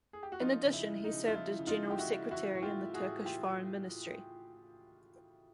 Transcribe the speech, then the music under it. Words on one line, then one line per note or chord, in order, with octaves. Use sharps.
In addition he served as General Secretary in the Turkish Foreign Ministry.
G#4
G4
F#4
F3 D#4 F4
C#3
E4
G#3
D#4
C#3
F4
F3 E4
C#3
D#4 F4
G#3
G4
E4 F#4
C#3
E3 E4 F#4
A2 F#4
F4 G4
G#3
F#4 G#4
A2
E3 F4 G4
A2